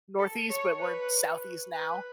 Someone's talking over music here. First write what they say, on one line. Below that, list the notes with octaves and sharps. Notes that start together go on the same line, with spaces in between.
Northeast, but we're Southeast now.
A4
C#5
B4
B4